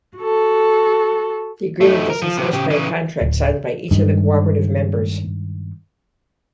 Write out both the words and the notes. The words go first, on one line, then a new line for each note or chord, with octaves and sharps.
The agreement is enforced by a contract signed by each of the cooperative members.
F#4 A4
A3 D#4
A#4
F3
C3 F#3
C#3 G4
C#3 E3
D1
G2 D#3 G#3